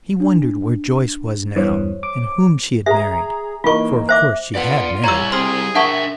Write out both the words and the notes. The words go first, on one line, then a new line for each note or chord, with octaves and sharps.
He wondered where Joyce was now and whom she had married, for of course she had married.
D4
E2 G2 E3 C5 C#5
D6
G#4 E5 A#5
E3 A#3 D#4 F4 C#6
C5 E5 D6
B3 F4 D5 F#5
G3 E4 C#5 A#5 E6
C4 G#4 C6 F6
D4 A#4 E5 F#5 A5 C#6